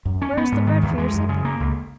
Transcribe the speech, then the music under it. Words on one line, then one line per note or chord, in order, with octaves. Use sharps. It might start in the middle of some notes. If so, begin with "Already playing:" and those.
"Where is the bread for your supper?"
F#2
C#4
B3
G#2
D#3
E2
G#3
F#2
C#3
A#3
C#2